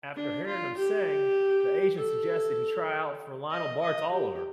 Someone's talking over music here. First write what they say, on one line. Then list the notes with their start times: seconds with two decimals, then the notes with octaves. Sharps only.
After hearing him sing, the agent suggested he try out for Lionel Bart's Oliver!
0.16 D4
0.46 F4
0.77 G4
1.98 A4
3.50 D#5
3.81 D#5
4.11 G4